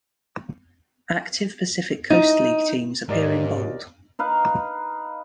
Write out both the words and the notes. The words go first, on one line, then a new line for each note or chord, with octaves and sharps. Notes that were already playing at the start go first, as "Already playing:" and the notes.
Active Pacific Coast League teams appear in bold.
D#4
D#2 G#2 A#4 D5 D#5
D#4 B4 F5